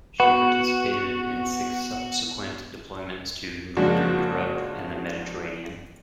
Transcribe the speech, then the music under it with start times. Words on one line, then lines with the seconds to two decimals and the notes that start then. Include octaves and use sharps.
She participated in six subsequent deployments to Northern Europe and the Mediterranean.
0.20 B3 F#4
3.77 C#3 F3 G#3 A#3 D4 F#4